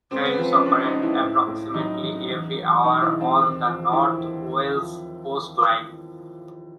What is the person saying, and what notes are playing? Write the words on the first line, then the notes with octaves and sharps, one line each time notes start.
Trains operate approximately every hour on the North Wales Coast Line.
C#2 C4
B3
F3 C4
C#4
C3 D4
D#4
C#2
E4
A2
A2
F#3 D#4
F#3
E2
F#3
B2 D#4
E4
E2
C4
D#2
F3
D3 E4
D#2
D#2
F3